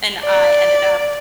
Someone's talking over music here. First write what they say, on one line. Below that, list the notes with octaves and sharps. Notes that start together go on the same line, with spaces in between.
and I ended up
D5